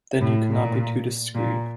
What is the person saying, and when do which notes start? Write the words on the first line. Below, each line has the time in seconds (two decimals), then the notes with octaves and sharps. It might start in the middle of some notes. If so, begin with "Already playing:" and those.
Then you cannot be too discreet.
0.21 A2
0.49 A#2
1.35 A#2